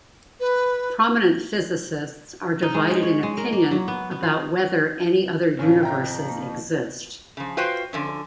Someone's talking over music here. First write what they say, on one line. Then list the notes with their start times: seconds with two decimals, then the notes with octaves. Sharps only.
Prominent physicists are divided in opinion about whether any other universes exist.
0.40 B4
2.62 D#4
2.74 G#3
2.91 C#4
3.03 C#5
3.23 G#3
3.37 A#4
3.53 A#3
3.71 F#3
3.88 B3
4.11 B3
4.23 F4
5.59 F2 A2 D#3 C#4
5.83 E5 G5 A#5
6.29 A#3
7.37 C#3 F3
7.57 F4 F#4 B4 C5 G5
7.93 D3 F3 C#4